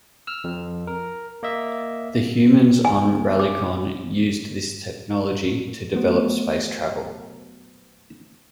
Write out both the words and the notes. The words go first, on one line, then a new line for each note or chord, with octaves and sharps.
The humans on Raylicon used this technology to develop space travel.
E6 F6
F2
A#4
A#3 D#5 E5
G#5
D6
F#3 A3 B3 F#4 C5